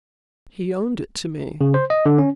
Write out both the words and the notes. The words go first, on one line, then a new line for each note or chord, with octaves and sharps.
He owned it to me.
C#3
C5
D#5
D3
C#4